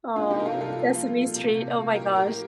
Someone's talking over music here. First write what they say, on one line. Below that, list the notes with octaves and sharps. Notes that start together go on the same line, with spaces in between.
Oh, Sesame Street, oh my gosh.
A#3 D4 F4
C3 D#4 G4
A#4
C3 F4 A4
G3 F4 A4
F3
A#3
A#3
A#2
C3
A#3
C3
A#3
A2 G4 A#4
A2 G4 A#4
A2